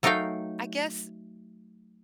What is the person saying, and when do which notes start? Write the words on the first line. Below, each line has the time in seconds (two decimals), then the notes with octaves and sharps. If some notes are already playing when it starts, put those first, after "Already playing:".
I guess,
0.03 F#3 A3 D#4 A#4 F5 G5